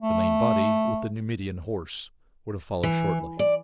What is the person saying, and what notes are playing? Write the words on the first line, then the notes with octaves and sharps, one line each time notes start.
The main body, with the Numidian horse, were to follow shortly.
A3
E3
D5